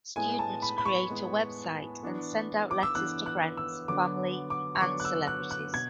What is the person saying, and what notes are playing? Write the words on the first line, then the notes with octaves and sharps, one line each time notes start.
Students created a website and sent out letters to friends, family and celebrities.
A2 G#3 B3 G#5
A5
B5
B5
C#6
A2 G#3 B3
E3 B3 D4
D6
E6
E3 B3 D4 F#6
F#6
E6
D3 F#3 B3 D4 D6
D6
C#6
D3 F#3 B3 D4 D6
F#6
E6
F#6
F#6
B2 G#6